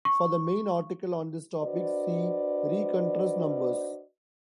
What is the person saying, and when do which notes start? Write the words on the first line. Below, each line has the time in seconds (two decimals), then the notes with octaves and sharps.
For the main article on this topic, see rencontres numbers.
0.05 C#6
1.62 D4 F#4 B4 C5 D5 D#5